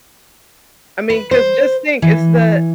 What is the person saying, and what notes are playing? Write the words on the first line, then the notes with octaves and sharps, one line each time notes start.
I mean, 'cause just think, it's the
B4
C5
E3